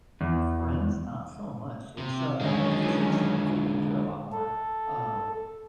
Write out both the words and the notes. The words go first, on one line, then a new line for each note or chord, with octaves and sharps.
friends? Not so much. It's, uh, it feels like stranger danger a lot more, uh,
E2
C3
D3 D#3 F#3 G#3 C#4
A4